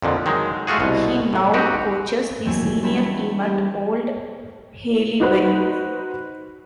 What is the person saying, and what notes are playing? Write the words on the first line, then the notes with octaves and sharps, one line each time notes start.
He now coaches the senior team at Old Haileybury.
F2 A#2 D3 F3
D#3 F#3 G#3
G#3 A3 F4 F#4 G#4
C2 B2
A2
C4 D#4 F#4 G4
D#2 E3 F#3 C4 G#5
E2 G3 B3 C#4 A5 B5
G3 B3 G4
D#4 F#4 B4 C5